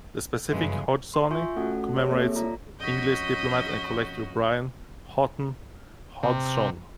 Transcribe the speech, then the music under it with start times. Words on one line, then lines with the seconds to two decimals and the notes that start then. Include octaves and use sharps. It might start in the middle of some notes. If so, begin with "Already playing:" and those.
The specific "hodgsoni" commemorates English diplomat and collector Brian Houghton Hodgson.
0.50 G1 F#2 C#3 E3 G#3
1.14 C6
1.30 F4 E5 G#5 C#6 G6
1.56 A3 C#4 F#4 A4 F#5 D#6
1.97 C4 G4 G#4 C#5
2.11 A#3 A4 C#5 E5
2.35 F4 D5 A#5
2.80 F2 C#4 F#4 D#5 G6 B6
6.23 C3